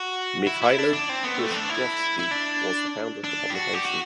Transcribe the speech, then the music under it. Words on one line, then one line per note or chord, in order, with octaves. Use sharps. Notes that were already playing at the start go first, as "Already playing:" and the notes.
Mykhailo Hrushevsky was the founder of the publication.
Already playing: F#4
E4
E4
D4
D4
C4
B3
A3
C4
D4
E4
E4
D4
D4
G4
F#4
G4
F#4